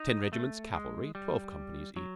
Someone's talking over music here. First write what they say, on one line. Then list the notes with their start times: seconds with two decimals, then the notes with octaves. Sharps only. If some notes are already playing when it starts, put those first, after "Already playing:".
Ten regiments cavalry, twelve companies each.
Already playing: D#4
0.33 A3
0.74 G#3
1.15 G3
1.97 F#3